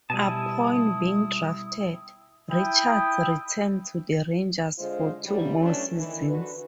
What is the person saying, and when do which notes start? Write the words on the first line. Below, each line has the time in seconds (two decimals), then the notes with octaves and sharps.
Upon being drafted, Richards returned to the Rangers for two more seasons.
0.10 B2 G3 E4 G#5 A5 D#6
2.50 E4 G5 D#6
4.79 D3 G#3 F4 C5
5.23 F2 E3 F#3 G3
5.59 E3 F#3 A3 C#4 D4
5.98 D#3 E3
6.28 D3 F#4 B4